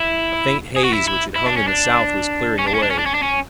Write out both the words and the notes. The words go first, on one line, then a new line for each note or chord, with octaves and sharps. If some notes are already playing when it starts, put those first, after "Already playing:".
A faint haze which had hung in the south was clearing away.
Already playing: E4
G#4
F#4
E4
E4
E4
D4
C#4
D4
C#4
D4
C#4
D4
C#4
D4
C#4
D4
C#4